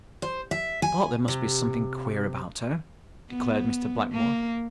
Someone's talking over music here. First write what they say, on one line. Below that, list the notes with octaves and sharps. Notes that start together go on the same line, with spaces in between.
"I thought there must be something queer about her," declared Mr. Blackmore.
C5
E5
G#5
C3
B3
A#3